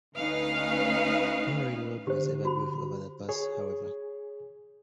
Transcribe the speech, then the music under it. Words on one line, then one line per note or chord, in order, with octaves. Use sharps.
No railroad was ever built over the pass however.
D2 C#4 D#4 B4 F5
D3 G4 C5
F#4 B5
G#4 C#5